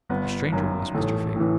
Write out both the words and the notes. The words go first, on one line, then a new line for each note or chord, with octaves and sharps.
The stranger was Mr. Fagin.
G1 B3
F#2 D#3
A1 A3
A2 E3